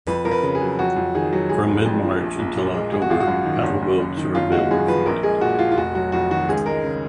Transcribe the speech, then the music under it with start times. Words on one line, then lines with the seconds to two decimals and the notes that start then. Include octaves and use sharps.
From mid-March until October, paddle-boats are available for rent.
0.07 F2 B4
0.25 F2 A#4
0.31 B4
0.43 C#3
0.55 G#4
0.62 F#3
0.79 F2 F#4
0.96 F2
1.15 D#3 G#4
1.33 F#3
1.49 F1 G#4
1.68 F1
1.86 F2
2.04 F3
2.21 A#1
2.39 A#1
2.57 A#2
2.74 G#3
2.92 G#1 G#4
3.02 F#4
3.10 G#1 F4
3.20 F#4
3.27 F#2
3.45 D#3
3.63 F#1
3.82 F#1
4.00 F#2
4.17 D#3
4.35 F#1 F4
4.52 G#3 F#4
4.71 F#2 G#4
4.88 F3 B4
5.06 A#1 A#4
5.23 G#3 G#4
5.41 A#2 F#4
5.59 F3 F4
5.71 F4
5.77 F1 F#4
5.95 F#3 F#4
6.12 F2 F#4
6.30 D#3 F#4
6.49 C#2 G#4
6.66 G#3 A#4
6.84 C#3